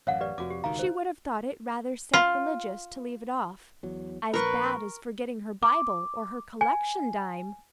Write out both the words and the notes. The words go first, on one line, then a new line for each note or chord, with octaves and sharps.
She would have thought it rather sacrilegious to leave it off--as bad as forgetting her Bible or her collection dime.
A1 F#2 C#5 F5 F#5
G4 B4 D5
F1 F2 F#4 D6
G4
E1 C#2 D#3 F5 A#5
C5
F4
E2 F#3
A#1 A#4 B4 C#6
D6
G#5